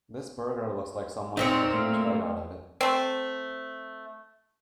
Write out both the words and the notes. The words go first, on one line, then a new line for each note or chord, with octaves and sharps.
This burger looks like someone took a huge bite out of it.
A#2 C4 D#4 A#4 C#5
A3 A#3 F5
A3 C4